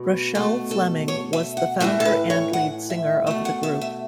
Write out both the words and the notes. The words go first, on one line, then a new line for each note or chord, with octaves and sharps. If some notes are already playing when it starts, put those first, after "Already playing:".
Rochelle Fleming was the founder and lead singer of the group.
Already playing: B2 A3
B2 A3 A4
A4
C#5
E5
F#5
A2 E3 A3 E5
A4
B4
C#5
F#5
E5
B2 A3 E5
F#5
E5
E5